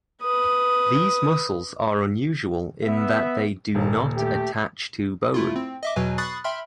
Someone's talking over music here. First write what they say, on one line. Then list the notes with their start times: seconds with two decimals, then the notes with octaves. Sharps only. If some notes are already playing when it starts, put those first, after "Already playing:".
These muscles are unusual in that they do not attach to bone.
0.23 B4 D#6
2.84 B3 E5
3.75 D#1 D#2
4.16 A3 G4
5.34 A3 E4 F4
5.56 C4
5.83 D#5 E5 D6
5.96 E2 B2 F#3 B4 G#5
6.18 B5 C#6 D#6 F#6 A6 C7
6.44 E5 G5 B5 C6 F6